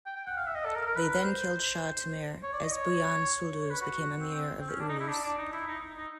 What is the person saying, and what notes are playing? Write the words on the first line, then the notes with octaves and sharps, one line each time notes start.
They then killed Shah Temur, as Buyan Suldus became amir of the "ulus".
G5
G5
F#5
F5
E5
D#5
A4
A#4
A#4
B4
C5
C#5
D5
D#5
C#5
C#5
B4
F#4
C4
C4
C4
C#4
D4
D#4
E4
D4
D4
D#4
E4
D#4
D#4